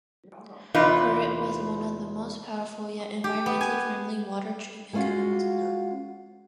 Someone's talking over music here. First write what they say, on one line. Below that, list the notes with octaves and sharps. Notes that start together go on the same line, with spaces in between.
Ferrate is one of the most powerful, yet environmentally friendly, water treatment chemicals known.
E2 C3 D#4 F4 B4
G4
B3
G#5
G#3 B3 C#4 F4 F#4